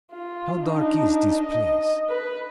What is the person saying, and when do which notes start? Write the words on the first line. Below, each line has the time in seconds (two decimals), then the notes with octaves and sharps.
How dark is this place!
0.11 F4
0.61 D4 D#4
1.39 D#5
2.09 B4